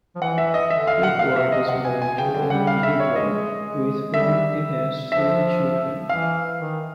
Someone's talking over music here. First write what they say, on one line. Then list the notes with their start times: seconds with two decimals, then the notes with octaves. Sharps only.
Woodward is married to Erin Woodward, with whom he has three children.
0.16 F3
0.22 E3 F#5
0.38 E5
0.54 D#5
0.70 D3 E5
0.87 F5
1.03 A#2 F#5
1.13 B2
1.19 C3 F5
1.36 E5
1.52 D#5
1.69 F#5
1.85 G#5
2.02 G#5
2.18 C#3 G5
2.34 D3 G5
2.50 G3 F#5
2.67 F5
2.83 E5
3.00 C#5
3.16 G#3 D#5
3.65 G#3
4.13 G3 E5
5.12 F3 E5
6.09 E3 F5
6.60 D#3